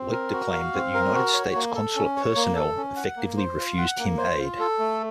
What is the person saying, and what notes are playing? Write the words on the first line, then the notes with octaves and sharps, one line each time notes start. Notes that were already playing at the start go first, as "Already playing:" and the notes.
Leuchter claimed that United States consulate personnel effectively refused him aid.
Already playing: C4
A#4
F#4
F5
C4
A#4
F#4
C#5
A#3
A4
C#4
C#5
A#3
A4
C#4
F#5
A#3
C5
F4
F#5
A#3
C5
F4
A4
A3